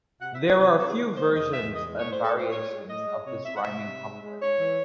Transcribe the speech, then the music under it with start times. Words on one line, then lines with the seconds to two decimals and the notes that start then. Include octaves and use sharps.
There are few versions and variations of this rhyming couplet.
0.21 C3 F#5
0.34 E5
0.40 C3
0.47 D#5
0.59 C3 C5
0.69 G#4
0.78 C3 A4
0.88 G#4
0.98 D#3
1.16 G#3 C5
1.35 E2 D#5
1.54 E2 E5
1.74 G#3 D#5
1.92 A2
1.99 C#5
2.12 A2 C5
2.24 A4
2.31 A2
2.37 C5
2.50 A2 C#5
2.68 G#3
2.88 A2 D#5
3.06 G#3
3.26 C3 C#5
3.44 C3 E5
3.56 F#5
3.64 C3 E5
3.83 C3
4.02 G#2
4.22 G#3
4.41 G#2 C#5
4.59 E3